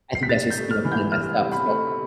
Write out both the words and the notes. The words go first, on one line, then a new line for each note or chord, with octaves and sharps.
I think that's just, you know, kind of messed up, So,
C7
B6
C3 A6
G6
A3
F6
E3
G6
C3 F6
C3
B5
A3